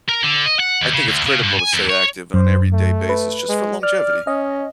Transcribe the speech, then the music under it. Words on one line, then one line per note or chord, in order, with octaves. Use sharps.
I think it's critical to stay active on an everyday basis just for longevity.
A#4
D3
D#5
F#5
D#2
C#3
D2
C#3
G2
G#5
E2
C#5
F#2 C5
A3
B4
G#3
D5 F6
C#4 D#5